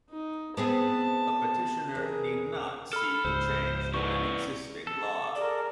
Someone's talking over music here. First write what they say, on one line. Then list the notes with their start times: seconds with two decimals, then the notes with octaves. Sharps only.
A petitioner need not seek a change to an existing law.
0.10 D#4
0.57 B3 C4 G#4 A5
1.95 E2 G#4 A#4
2.93 A4 B5 E6 F6
3.24 C#2 G#2 C5
3.94 E4 B4 D5 C#6
4.87 A4
5.35 G#4 A#4 D5